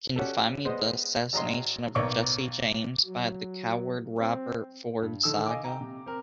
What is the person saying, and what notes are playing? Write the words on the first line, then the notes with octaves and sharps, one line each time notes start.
Can you find me The Assassination of Jesse James by the Coward Robert Ford saga?
C#4 F#4 G4 A4
G#3 B3 C5 D#5
G#1 F#3 D#5 C6
B1 A#3 C#5 E5 C#6 D6
F#3
C4
G2
D3 D#3 A4 E6
D#5 F5 G#5 D6
G5 A#5
C3
C4 A#4